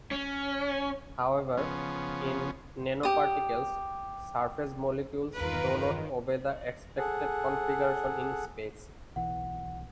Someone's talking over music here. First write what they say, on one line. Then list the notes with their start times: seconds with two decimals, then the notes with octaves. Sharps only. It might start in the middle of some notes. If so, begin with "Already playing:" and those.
However, in nanoparticles, surface molecules do not obey the expected configuration in space.
0.11 C#4
1.57 C#3 F3 B3 C#4
3.03 G4 D#6
5.37 E2 G2 D#3 F4 A#4 B4
6.98 G#4 A4 F#5
9.16 B1 E3 F#5